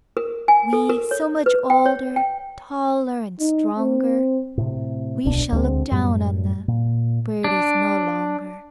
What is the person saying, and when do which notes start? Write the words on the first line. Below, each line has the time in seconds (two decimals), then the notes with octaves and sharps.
We, so much older, Taller and stronger, We shall look down on the Birdies no longer.
0.17 A#4
0.48 G#5
0.73 A4
0.89 A#4
1.11 C#5
1.46 B4
1.70 G5
1.86 C#5
2.16 G5
3.40 D#4
3.78 C4
4.57 A2 C3
5.25 D1 B1 B2 D4
5.52 D2 D3 G#3 C4
5.91 F#2 A2 G3
6.68 A#2
7.44 D4